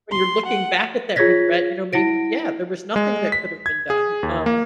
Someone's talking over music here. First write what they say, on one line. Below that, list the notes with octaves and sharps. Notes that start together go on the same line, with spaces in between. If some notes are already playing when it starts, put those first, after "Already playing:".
when you're looking back at that regret, you know, maybe, yeah, there was nothing that could've been done. Um,
C6
F#5
F4 G#4 C#5 G#6 A#6 B6
E4 F#5 A#6 D7
G#3
B6
G#6
G#4
D#2
A#3